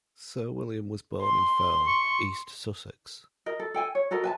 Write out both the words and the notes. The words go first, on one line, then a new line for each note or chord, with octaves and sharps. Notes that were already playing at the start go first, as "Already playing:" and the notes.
Sir William was born in Firle, East Sussex.
C6
C#6
A#4 D#5
A4
A4 G5 G#5
C#5
F#4 A4 A#4 D#5
B4 G#5 A5